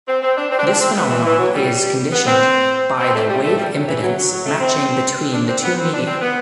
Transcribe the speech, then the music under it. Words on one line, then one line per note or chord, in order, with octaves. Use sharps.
This phenomenon is conditioned by the wave impedance matching between the two media.
C4
C4
D4
C4
D4
C4
D4
C4
B3
E3
E3
F#3
G3
B3
C4
C4
A3
G3
A3
G3
F#3
E3
F#3
F#3
F#3
A3
C4
D4
C4
B3
C4
D4
C4
B3